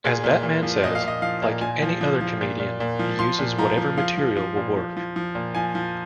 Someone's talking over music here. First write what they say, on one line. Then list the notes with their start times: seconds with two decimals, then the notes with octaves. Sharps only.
As Batman says, "Like any other comedian, he uses whatever material will work".
0.04 A#2 G#4
0.24 A#2
0.43 A#2
0.63 F3
0.83 A#2 D#5
0.95 F5
1.03 A#2
1.08 D#5
1.22 F3 F5
1.42 A#2
1.61 A#2 G#5
1.82 F3
2.01 F3
2.21 F3
2.41 A#2
2.60 A#2
2.80 A#2
2.99 F3
3.19 F3 C6
3.39 A#2
3.58 F3 A#5
3.77 F3
3.97 F3 F5
4.17 F3
4.37 F3
4.57 A#2
4.76 F3
4.97 F3
5.16 F3
5.35 A#2
5.55 F3 G#5
5.75 F3